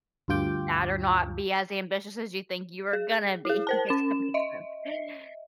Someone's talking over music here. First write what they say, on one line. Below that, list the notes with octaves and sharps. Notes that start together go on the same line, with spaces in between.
That or not be as ambitious as you think you are gonna be, if that makes sense.
D2 G2 F4 G5 D6
G#4
E4 G#4
A#4 C5 A5
C#4 E7
D#5 E5